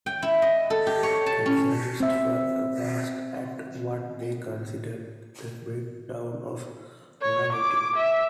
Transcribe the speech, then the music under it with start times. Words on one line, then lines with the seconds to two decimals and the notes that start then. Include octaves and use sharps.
Traditionalists were aghast at what they considered the breakdown of morality.
0.06 G5
0.22 E4
0.42 D#5
0.70 A4
0.87 G4
1.03 C#5
1.26 A5
1.46 C#4
2.00 C4 E5
7.22 C#5
7.53 D6
7.97 E5